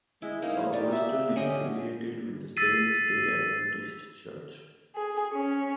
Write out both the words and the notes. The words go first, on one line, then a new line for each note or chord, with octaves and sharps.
Southwestern is affiliated with the Seventh-day Adventist Church.
G#3 E4
A#3 C#4 D#4
D#4 G4 D5
E5
D3 C#4 G4 D#5
E6 A6 B6 C7 D#7
G#4
C#4